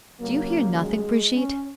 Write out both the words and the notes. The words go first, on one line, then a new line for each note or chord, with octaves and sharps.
Do you hear nothing, Brigitte?
D#2 C#3 F#3 A#3
G#3
C#4